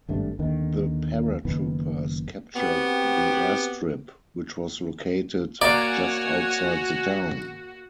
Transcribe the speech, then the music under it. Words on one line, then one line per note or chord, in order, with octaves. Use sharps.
The paratroopers captured the airstrip, which was located just outside the town.
G#1 G2 A3 D4
D#2 D3 D#3
F#1 D#3 B3
B3 C4 F#4 G4
A#3 F#4 C#5 D5 F#5 G#5